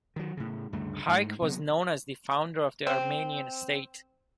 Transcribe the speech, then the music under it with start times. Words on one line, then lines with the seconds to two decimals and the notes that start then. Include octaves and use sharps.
Hayk was known as the founder of the Armenian state.
0.16 D#3 F#3
0.37 A2 C#3
0.73 D2 G2 C#3 A3
1.08 G#2 A3
1.42 C3 F#3 G#3 B3
2.87 C4